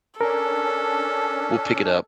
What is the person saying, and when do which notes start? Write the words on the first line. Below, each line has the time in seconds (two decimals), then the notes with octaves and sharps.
we'll pick it up,
0.21 C#4 D4 A4 A#4